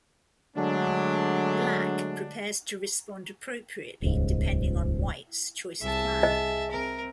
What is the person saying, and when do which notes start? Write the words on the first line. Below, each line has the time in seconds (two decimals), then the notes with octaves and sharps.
Black prepares to respond appropriately depending on White's choice of plan.
0.56 D3 F#3 G#3 A3 D4
4.02 D#1 C#2 G#2
5.82 C2 G#4 E5 A5
6.23 D#5
6.71 C4 A#4